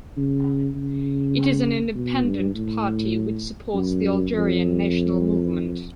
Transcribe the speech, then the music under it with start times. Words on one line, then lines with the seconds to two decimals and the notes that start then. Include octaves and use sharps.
It is an independent party which supports the Algerian national movement.
0.17 C#3
0.76 C#3
1.95 B2
2.25 G2
2.55 A2
3.74 F#2
4.33 F2